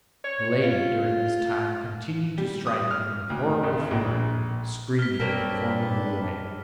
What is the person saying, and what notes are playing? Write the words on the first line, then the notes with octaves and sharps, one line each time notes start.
Milady during this time continued to strike at him with horrible fury, screaming in a formidable way.
C#5
F4
G3
D#6
F6
D2
G#1
A#1
F6 B6
G2 A#3 C4 D4 A4 B4 C#5